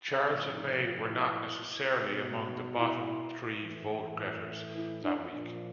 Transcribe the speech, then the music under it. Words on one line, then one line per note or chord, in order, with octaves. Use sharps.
Charles and Mae were not necessarily among the bottom three vote-getters that week.
A2 F3 C#4
D#4
F4
E4
B2
E4
A2 E3
E4
D4
A#2 F3